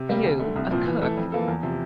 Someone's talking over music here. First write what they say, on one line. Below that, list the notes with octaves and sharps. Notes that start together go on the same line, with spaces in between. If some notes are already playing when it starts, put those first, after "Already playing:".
'You a cook!
Already playing: C3
G3 A#3
D2
D3 A3
C2
A#2 F3 C4
E3
A3 E4 A4
F2
E3 A#3 F4 A4
E2
C3 F3